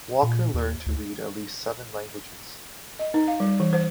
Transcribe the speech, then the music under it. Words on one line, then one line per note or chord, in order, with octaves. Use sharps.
Walker learned to read at least seven languages.
A#2
D#2
D2
D#5
D#4
F5
G3
E3
C5